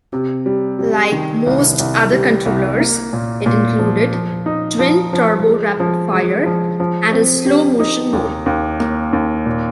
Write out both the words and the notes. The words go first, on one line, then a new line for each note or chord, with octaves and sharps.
Like most other controllers, it included twin turbo rapid-fire and a slow motion mode.
C3
G3
G3
D#3
C2
C2
G3
C2
A#3
A#2
A#2
F3
F3
D#4
F3
F3
G#3
F3
G#3
F3
F3
C4
G4
D#4
D#2
D#2
A#3
D#2
A#2